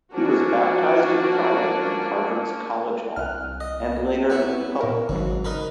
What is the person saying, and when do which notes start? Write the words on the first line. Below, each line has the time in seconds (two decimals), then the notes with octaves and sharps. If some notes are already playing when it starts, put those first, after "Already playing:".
He was baptized in private in Harvard's College Hall and later in public.
0.14 F3 A#3 C#4 D4 F#4
3.16 C2 F6 F#6
3.61 D#5
4.30 B3 E4 B4 C#5
4.81 A#2 A#4
5.09 G#1 G#2 C#3 F#3
5.45 D#4 A#4 B4